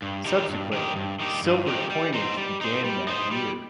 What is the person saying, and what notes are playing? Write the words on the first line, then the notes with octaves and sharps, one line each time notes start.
Subsequently, silver coinage began that year.
G2
D#3 G3 D#4 G4
G2
D#3 G3 D#4 G4
G2
D#3 G3 D#4 G4
G2
D#3 G3 D#4 G4
G3
D#4 C5
G3
D#4 C5
G3
D#4 C5
G3